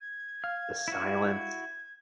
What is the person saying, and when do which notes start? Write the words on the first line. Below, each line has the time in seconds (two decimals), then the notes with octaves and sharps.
The silence.
0.01 G#6
0.44 F5 F6
0.88 E4 F#4